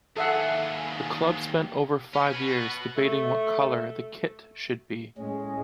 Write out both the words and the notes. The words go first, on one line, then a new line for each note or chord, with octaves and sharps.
The club spent over five years debating what colour the kit should be.
D#2 G#4 A4 E5 F#5
C#4
F#4 B4
A3
A2 G#3 C#4